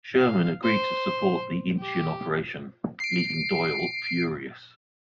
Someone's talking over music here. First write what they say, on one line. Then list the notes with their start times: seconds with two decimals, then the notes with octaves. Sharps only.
Sherman agreed to support the Incheon operation, leaving Doyle furious.
0.16 F5
0.63 C5
1.79 G4
3.00 C7 D7